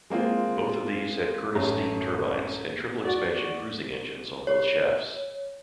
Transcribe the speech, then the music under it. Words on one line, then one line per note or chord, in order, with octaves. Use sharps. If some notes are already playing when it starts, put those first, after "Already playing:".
Both of these had Curtis steam turbines and triple-expansion cruising engines on both shafts.
G#3 A#3 C4 F4
A1 F#2 A3 A#5
F#4 D5
C#5